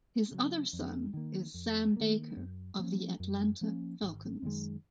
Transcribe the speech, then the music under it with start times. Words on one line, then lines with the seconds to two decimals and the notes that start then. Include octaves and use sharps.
His other son is Sam Baker of the Atlanta Falcons.
0.31 C#3 F#3
0.73 F2
1.14 D#3 A#3
1.54 F2
1.97 D#3 A#3
2.37 F#2
2.79 F3 A#3 C#4
3.20 F#2
3.61 F3 A#3 C#4
4.02 G#1
4.42 F#2 D#3 G#3